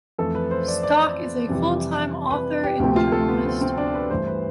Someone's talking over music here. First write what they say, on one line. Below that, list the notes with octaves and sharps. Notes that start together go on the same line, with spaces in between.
Stock is a full-time author and journalist.
F2 E3 A3 A4
B4
C5
D5
D5
F2 C3 E3 G3
B4
G4
D2 C3 F3 A3 G4
F4
A4
B3
C4
C4
D4
B4
G2 E3 A3 C5
B4